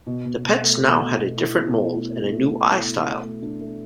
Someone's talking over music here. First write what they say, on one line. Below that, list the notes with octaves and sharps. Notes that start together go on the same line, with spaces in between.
The pets now had a different mold and a new eye style.
B2
B2
B2
A3
B2
B2
B2
E4
B2
B2
A3
A3
A3
B2
E4
B2
A3
A3
D4
A3